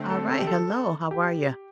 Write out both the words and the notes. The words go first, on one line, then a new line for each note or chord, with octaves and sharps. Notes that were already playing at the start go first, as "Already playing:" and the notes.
All right, hello. How are you?
Already playing: D3 A3 C4
A4
A4
G4
A4
G4